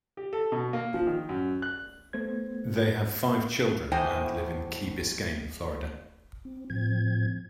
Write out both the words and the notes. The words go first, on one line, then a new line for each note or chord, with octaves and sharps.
They have five children and live in Key Biscayne, Florida.
G4
A4
B2
A#3
F3
D#3
F#2
F#6
A3 B3 C5 G#6
E2 A2 C5 D#5 G5 G#5
C4
A2 F3 C4 G#6